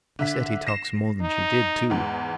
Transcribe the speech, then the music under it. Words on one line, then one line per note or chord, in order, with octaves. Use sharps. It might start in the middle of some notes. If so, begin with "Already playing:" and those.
Miss Etty talks more than she did, too.
D3 E5 B6
A#6 C7 E7
D#4
E2 G#2